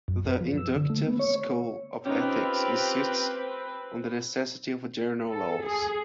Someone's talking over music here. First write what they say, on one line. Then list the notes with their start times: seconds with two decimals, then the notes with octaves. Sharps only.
The inductive school of ethics insists on the necessity of general laws.
0.08 F#2
0.28 B4
0.41 F3
0.57 E6
0.76 D3
0.90 A3
1.07 B3
1.19 C#5
2.06 C4 C#4 D#4 F4 G4 A#4 B4
5.30 A4
5.64 G#4